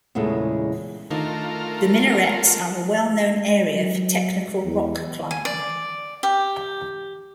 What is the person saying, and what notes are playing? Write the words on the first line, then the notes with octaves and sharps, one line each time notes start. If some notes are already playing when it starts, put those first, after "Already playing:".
The Minarets are a well-known area for technical rock climbing.
E2 A#2 C#3 G#3 A3
D#3 A3 D4 D#4 F4 A#4
F#3
E2
G#5
D5
G4